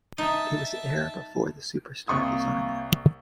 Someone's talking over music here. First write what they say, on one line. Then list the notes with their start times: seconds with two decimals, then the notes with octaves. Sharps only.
It was the era before the superstar designer.
0.18 D#4 E5 A5
2.08 C2 A#3 C#6 D#6